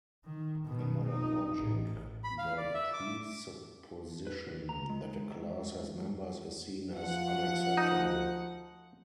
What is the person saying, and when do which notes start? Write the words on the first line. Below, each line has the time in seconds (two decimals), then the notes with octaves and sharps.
In modern logic, the presupposition that a class has members is seen as unacceptable.
0.25 D#3
0.66 B2 D#3
1.07 D#4
1.59 A1
2.24 B5
2.38 F5
2.57 D5
2.74 E5
2.93 D6
4.27 B4
4.69 A#5
4.90 G#3
6.99 F3 F#5
7.77 D#4